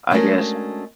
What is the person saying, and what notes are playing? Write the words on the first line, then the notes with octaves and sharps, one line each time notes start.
I guess,
G#3 A3 C#4 D4 F#4 A#4